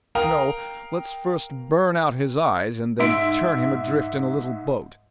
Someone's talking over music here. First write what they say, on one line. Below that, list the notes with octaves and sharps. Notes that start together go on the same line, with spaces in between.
'No! let's first burn out his eyes, and then turn him adrift in a little boat.'
A#4 F5 G5 A#5 D#6
G#2 E5 C6 B6 D7